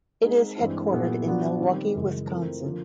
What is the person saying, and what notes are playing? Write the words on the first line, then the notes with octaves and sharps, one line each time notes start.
It is headquartered in Milwaukee, Wisconsin.
G#3 C4 D#4 G#4
G2 E3 G#3 C4 E4
A#2 F#3 B3 E4 G#4
F#3 B3 D4 F4
D#3 G3 C4
F#2 C#3 E3 G#3
E3 A3 C4 F4 A#4
D3 F3 A#3